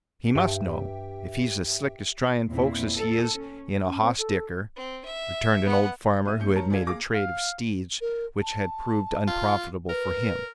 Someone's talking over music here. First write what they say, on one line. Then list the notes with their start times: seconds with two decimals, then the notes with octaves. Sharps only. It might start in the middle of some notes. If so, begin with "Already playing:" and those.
"He must know, if he's as slick at tryin' folks as he is in a hoss dicker," returned an old farmer who had made a trade of steeds which had proved unprofitable for him.
0.35 G2 G4 E5 G5
2.47 E2 A#2 C4 E4
2.96 A4
3.34 C#4
3.86 C#4
4.01 C4
4.18 A4
4.76 C4
5.05 E5
5.65 B3 F#5
6.25 C2 E5 D#7
6.40 A#1 C#4 C#5 G6 C#7
6.55 F#2 A#4 C#5 A5
6.70 F#2 G#4 A4 D5 F5 G#6
6.86 A#3 G#4 F5 D6 A#6
7.14 F5
8.01 A#4
8.42 A5
9.27 F4
9.89 A#4 B4